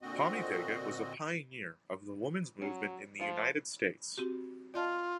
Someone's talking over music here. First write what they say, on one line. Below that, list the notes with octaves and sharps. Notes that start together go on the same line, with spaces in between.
Pommy Vega was a pioneer of the women's movement in the United States.
A#2 D3 C4 F#4 D#5
F#3 C#4
F3 A3 F4
C4 F#4 G4
F4 D5 D#5 A5